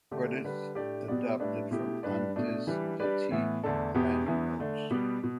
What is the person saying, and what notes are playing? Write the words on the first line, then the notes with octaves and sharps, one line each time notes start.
Credits adapted from "Antes de Ti" liner notes.
D3 A3 D4 G4
D3 G3 D4 B4
A2 A3 D4 G4 D5
B2 B3 G4 D5
A2 G3 D4 B4 D5
B2 A3 E4 G4
G2 G3 D4 B4 D5
B2 A3 D4
E3 G3 D4 B4
G3 D4 G4 B4 D5
A2 E3 B3
E2 D3 A3 D4 A4
E2 B2 B3 G4
E2 E3 B3
D3 A3 D4
B2 G3 B3 G4
B2